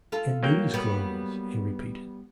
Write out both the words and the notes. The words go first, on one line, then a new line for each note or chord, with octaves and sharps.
In these clothes,' he repeated.
F4 A4
F#3 A#3 G5
G3 B3